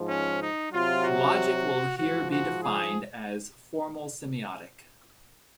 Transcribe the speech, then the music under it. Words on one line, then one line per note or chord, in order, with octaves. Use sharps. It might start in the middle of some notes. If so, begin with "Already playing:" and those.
Logic will here be defined as "formal semiotic".
Already playing: G#2 F3
C#4
D#4
C3 F#3 F4
F#4
G#2 F3 F#4
F#4
G#4